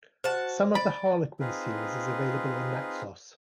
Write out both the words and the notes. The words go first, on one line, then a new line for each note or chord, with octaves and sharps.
Some of the Harlequin series is available on Naxos.
F#4 C5 A5
D5 B5
C4 D#4 F4 G#4 B4